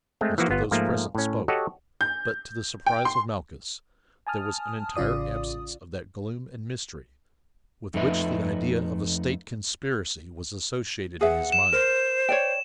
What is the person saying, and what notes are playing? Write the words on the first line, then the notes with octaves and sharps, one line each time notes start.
Most of those present spoke, but, to the surprise of Malchus, there was an entire absence of that gloom and mystery with which the idea of a state conspiracy was associated in his mind.
G#3 A3 C4
E3 F3 A#3 F#4
G1 B3 F4
G#2 F3 A3 A#3
A2 C#4
F#4 G4 A4 C#5 D#5 F#5
G6
G5
C6
G#5 A5 D#6 F6
A1 C#3 F4 D5 D#6
F2 A3 D#4 B4 E5
G#4 B4 E5 F#5
E7
A#4 C5
C#5 D5 G5